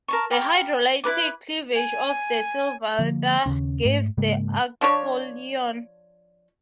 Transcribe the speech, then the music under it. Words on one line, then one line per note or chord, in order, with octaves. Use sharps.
The hydrolytic cleavage of the silylether gives the acyloin.
A#4 A5 C#6
G4 A#4 B5 D6
E4 A#4 B4 D6
G#5
D3 F3 A#3
D#2 C#3 C#4
G#2 A3
G#2 C#3 G#3 A#3
F3 D4 C#5